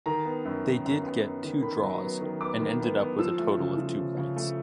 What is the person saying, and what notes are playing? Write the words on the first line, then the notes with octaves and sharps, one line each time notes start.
They did get two draws and ended up with a total of two points.
D#3 A#5
B3
F#2
D#3
F#2
B3
F#2
D#3
D#3 B5
F#3
B3
D#3
B3 D6
D#3
B3
B3
F3 E6
A3
C#3
F3
C#3
C#3
A3